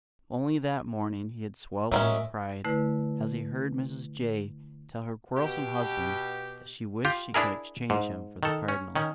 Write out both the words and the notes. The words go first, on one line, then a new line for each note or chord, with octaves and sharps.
Only that morning he had swelled with pride as he heard Mrs. Jay tell her quarrelsome husband that she wished she could exchange him for the Cardinal.
A2 F#3 G#3 C#4 A#4 E5
D3 A3 E4 B4
B2 G4
F4 G4 G5
D4 E4 G#4 A#4
G#2
D#3 A4
C#4
D#3 C#4